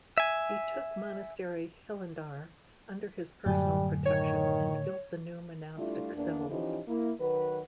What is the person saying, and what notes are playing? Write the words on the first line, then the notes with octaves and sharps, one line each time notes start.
He took monastery Hilandar under his personal protection and built the new monastic cells.
E5 G#5
F#2 A2 D3 F#3 G3 G#5
D#3 C#5
G3 A3 D4 E4 F4
E2 A#3 D4
E3 F3 C#4 D#4 E4 G4
A#3 E4
D#3 F#3 F#4 B4